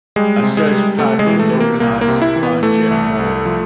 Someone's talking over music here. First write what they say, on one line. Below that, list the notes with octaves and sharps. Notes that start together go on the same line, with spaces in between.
A search party was organized to find Jeff Moore.
G3 G#3
C3
G#3
G3
C3 A3
G#3
E3
A3
C3
A#3
C2 A#3
A#3
C3
E4
E3
B3
E3 A3
C2
C2
F3